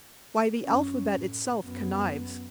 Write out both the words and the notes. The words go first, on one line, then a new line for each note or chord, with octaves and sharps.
Why, the alphabet itself connives.
F#2 C#4
A2
F#2 B3